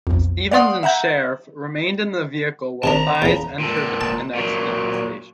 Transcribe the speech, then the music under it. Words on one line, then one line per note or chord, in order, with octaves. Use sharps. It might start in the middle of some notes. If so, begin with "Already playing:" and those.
Stephens and Scherf remained in the vehicle while Thies entered and exited the station.
B1 F2
D5 F5 F#5 C6 D#6
E5 F#5 A#5 G6
C3 D#3 D4 A5 A#5
E2 C#3
A#2 A4
A5
A#2 F#3